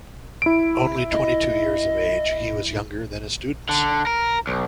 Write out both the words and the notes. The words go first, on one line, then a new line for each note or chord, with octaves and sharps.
Only twenty-two years of age, he was younger than his students.
E4 D7
D#5
D3
A#4
B1